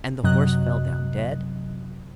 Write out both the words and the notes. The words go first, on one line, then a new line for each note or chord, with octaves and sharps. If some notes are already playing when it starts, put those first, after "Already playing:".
And the horse fell down dead.
F#2 C3 F#3 D#5 F#6